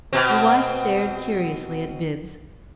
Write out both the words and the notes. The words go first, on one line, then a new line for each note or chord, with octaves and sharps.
The wife stared curiously at Bibbs.
B2 C4